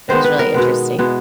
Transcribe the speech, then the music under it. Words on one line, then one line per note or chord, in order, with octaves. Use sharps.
it was really interesting.
D#3 G#3 B3 C5
B4
A#4
B2 G#3 B3
B2 G#3 B3 E4